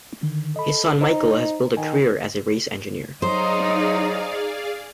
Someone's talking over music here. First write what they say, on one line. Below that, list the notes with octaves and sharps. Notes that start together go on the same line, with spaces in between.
His son Michael has built a career as a race engineer.
D3 D#3
A4 D#5 B5
D#4 C5 D#5 A#5
D#3 G#5
F#3 D#4 G#4 C5 D5 F5